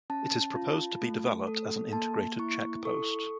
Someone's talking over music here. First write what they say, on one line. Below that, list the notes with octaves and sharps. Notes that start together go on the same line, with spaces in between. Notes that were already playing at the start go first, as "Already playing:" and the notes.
It is proposed to be developed as an Integrated Check Post.
C#4 A5
F4
A3
A4
A#3 A5
E4 C#6
A4 C#6